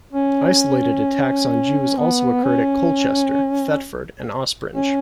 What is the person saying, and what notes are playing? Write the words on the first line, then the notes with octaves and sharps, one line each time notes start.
Isolated attacks on Jews also occurred at Colchester, Thetford, and Ospringe.
C#4
B3
C#4
C#4